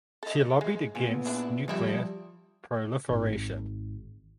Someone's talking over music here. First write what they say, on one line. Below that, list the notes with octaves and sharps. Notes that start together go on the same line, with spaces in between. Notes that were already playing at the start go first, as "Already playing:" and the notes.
She lobbied against nuclear proliferation.
A4 D#5
G#3
A#2 B3 G#5
E3 D4 E4
F3 G3 D#4 E4 G4
G#1